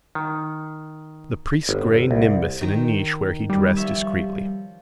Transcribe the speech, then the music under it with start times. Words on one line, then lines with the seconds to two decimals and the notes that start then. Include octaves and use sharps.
The priest's grey nimbus in a niche where he dressed discreetly.
0.15 D#3
1.69 G1
2.11 C2
2.61 D#3 G5 A#5
3.50 G3
3.76 F3 C#5 E5